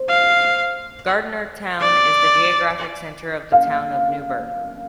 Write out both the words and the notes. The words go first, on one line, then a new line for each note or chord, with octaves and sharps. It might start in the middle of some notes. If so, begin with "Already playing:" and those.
Gardnertown is the geographic center of the Town of Newburgh.
Already playing: C5
F5
D5
F5